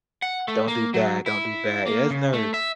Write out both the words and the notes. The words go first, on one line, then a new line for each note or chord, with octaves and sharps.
don't do bad, don't do bad." It's nerve
F#5
A3
A#3
F#3
E4
A#3
C#3
A3
E5